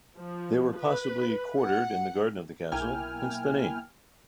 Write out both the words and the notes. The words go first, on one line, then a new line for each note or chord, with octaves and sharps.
They were possibly quartered in the garden of the castle, hence the name.
F3
B4
F#5
B1 A#3 E4 G5 G#5 F6